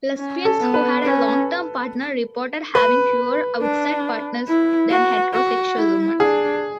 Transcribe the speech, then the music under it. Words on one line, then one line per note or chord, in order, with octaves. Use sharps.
Lesbians who had a long-term partner reported having fewer outside partners than heterosexual women.
C#4
A4
B3
B4
C#4
B4
D4
E4
F#4
F#4
E4
D4 G#4